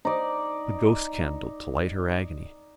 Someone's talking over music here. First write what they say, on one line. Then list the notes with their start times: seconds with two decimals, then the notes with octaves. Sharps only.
The ghostcandle to light her agony.
0.05 D#4 D5